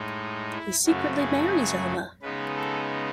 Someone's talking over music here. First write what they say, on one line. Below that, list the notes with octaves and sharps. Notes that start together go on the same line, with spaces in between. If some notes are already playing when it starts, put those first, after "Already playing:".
He secretly marries Elma.
Already playing: A2 G#3 D#4
E4
F#2 C#3 F#3 A3 F#4
G#4
C#3 G#3 B3 D#4 B4
A4